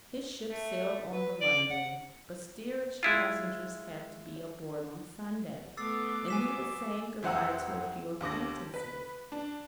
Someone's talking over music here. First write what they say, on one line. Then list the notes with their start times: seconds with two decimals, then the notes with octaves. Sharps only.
His ship sailed on the Monday, but steerage passengers had to be aboard on Sunday, and he was saying good-bye to a few acquaintances.
0.48 A3
1.11 B4
1.41 D5
1.70 F#5
3.03 G#3 E4 F4
5.77 A3 B3 D6 E6 A6 C7
6.28 F#3 B3 G#5 B6 E7
7.23 F1 E3 C5 F#5 A#5 E6
8.21 D#2 D3 D6 A#6
8.74 B4 B6
9.32 D4